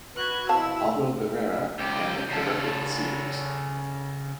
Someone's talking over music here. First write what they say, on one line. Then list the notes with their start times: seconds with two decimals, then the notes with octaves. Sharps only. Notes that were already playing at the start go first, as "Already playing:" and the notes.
Pablo Barrera and directed the series.
0.16 F#4 B4 F#6 G#6
0.49 B2 F3 C4 E4 F5 A5 E6
1.80 C#2 G4
2.31 C#3 A4